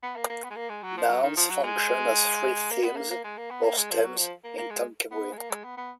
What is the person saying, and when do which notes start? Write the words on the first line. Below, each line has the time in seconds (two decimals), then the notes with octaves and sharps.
Nouns function as free themes, or stems, in Tonkawa.
0.03 B3
0.16 A#3
0.30 A#3
0.44 B3
0.51 G#3
0.56 A#3
0.70 G#3
0.83 F#3
0.98 F3
1.10 F#3
1.23 D#3
1.37 F3
1.50 F#3
1.64 G#3
2.71 A#3
2.84 B3
2.97 A#3
3.11 A#3
3.24 G#3
3.38 A#3
3.50 B3
3.65 A#3
3.77 G#3
3.91 F3
4.05 F#3
4.18 F3
4.44 A#3
4.58 A#3
4.71 G#3
5.11 B3
5.33 G#3
5.38 A#3
5.50 G#3
5.64 B3
5.77 B3